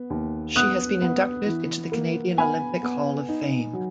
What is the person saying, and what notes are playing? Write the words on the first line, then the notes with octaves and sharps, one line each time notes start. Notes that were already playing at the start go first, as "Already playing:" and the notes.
She has been inducted into the Canadian Olympic Hall of Fame.
Already playing: B3
D#2
B3 D#6 F#6
B3
E3
A#3
B3 G#5 B5
B3
D#4
F#3